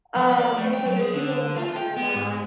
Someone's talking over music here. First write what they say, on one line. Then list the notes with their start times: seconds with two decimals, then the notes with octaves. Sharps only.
Um, and so there's people like that that are in my life
0.16 F3
0.38 D5
0.57 A3
0.73 G5
0.86 F#3
0.99 G#4
1.13 D3
1.58 F4
1.76 G5
1.96 B3
2.15 G#2